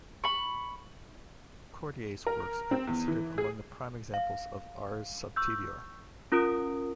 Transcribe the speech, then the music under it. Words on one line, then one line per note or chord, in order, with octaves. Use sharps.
Cordier's works are considered among the prime examples of ars subtilior.
B5 C#6
A#4
C4
E2
E3
G#4
F5
C#6 E6 G6
C#4 F4 A#4 D#6 D7